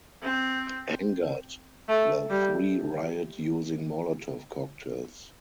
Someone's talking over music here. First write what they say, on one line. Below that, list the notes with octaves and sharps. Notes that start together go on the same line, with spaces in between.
Angered, the three riot using Molotov cocktails.
C4
A3
G3